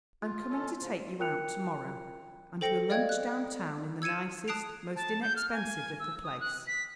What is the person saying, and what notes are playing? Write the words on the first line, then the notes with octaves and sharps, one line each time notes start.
I'm coming to take you out to-morrow, and we'll lunch down town in the nicest, most inexpensive little place.
F4
F2 C#4 A4
G#2 C#3 F3
F4 A#4 G5 F#6 C#7 F7
A4 C5 G5 A#6 C#7
D5 D#5 F5 G5 G#6
F#6
E6 G#6 C#7 D#7 E7
A5 D#6 F#6 C7 D7 F7
A5
G6
F6
G#5
E6
D#6
F#6
B6